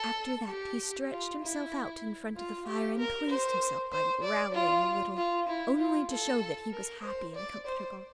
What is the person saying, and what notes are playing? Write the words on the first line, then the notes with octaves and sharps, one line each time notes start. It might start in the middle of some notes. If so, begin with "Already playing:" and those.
After that he stretched himself out in front of the fire, and pleased himself by growling a little, only to show that he was happy and comfortable.
Already playing: A4
G4
F4
E4
F4
G4
A#4
C5
C5
D5
F4
F4
E4
F4
A4
A#4
C5
D5
C5